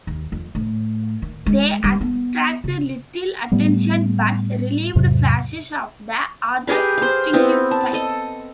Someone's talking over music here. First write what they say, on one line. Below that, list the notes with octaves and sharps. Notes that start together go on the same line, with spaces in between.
They attracted little attention but revealed flashes of the author's distinctive style.
D#2
F2
A2
D#3
G#3
G3
B3
C#3
A2 G3 A3 B3
E2 G#2 C3 F#3
G4 G#4 A#4 B4
C5 F5
B3 C4 E4
A5
A4 D#5